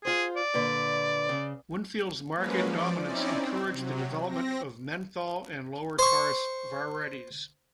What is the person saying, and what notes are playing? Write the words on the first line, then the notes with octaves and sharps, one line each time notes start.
Winfield's market dominance encouraged the development of menthol and lower tar varieties.
F4 G#4 C5
D5
A#2 D3 B4
C#3
F3 F#3 G#3 A#3 C#4 B4
F3 D5 D6
C4 C#4 D#4 E4 D5
C4
C3 F#3
C4 A#6
C5 C#6